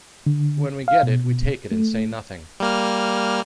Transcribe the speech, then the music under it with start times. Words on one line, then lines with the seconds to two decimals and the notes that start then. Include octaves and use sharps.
When we get it, we take it and say nothing.
0.26 D3
0.88 F5
1.03 B2
1.72 A3
2.60 G3 A#3 F6